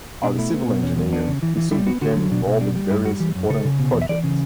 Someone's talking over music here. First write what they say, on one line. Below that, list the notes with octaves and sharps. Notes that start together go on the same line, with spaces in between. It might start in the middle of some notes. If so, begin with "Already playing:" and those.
As a civil engineer, he soon became involved in various important projects.
B2 D4
A3 E4
B3
B2
E2 C#4
E2
B3 D4
C#3
E3
E3
G3 E4
B3 F#4
D3 F#4
F#3
B2 D4
B2
G3 D4
G3
G2 E4
G3 F#4
E3 G4
F#2
C#3 A4
C#3
B2
E2
E5
E3 D5
C#3